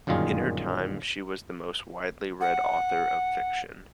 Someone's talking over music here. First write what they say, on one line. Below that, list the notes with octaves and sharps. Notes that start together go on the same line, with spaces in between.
In her time, she was the most widely read author of fiction.
G1 F#2 A#2 D#3 F4 G#4
F#5